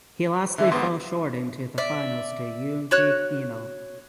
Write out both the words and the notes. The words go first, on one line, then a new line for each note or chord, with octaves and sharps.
He lastly fell short into the finals to Yuji Hino.
D3 E3 E5
G#1 G#2 B3 C6
D5 E5
F#4 C#5 F#6